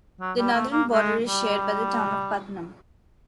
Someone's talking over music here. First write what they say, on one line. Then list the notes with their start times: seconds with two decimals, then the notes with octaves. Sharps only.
The northern border is shared by the town of Putnam.
0.20 F#3
0.38 G3
0.54 A3
0.71 A#3
0.90 G#3
1.25 G3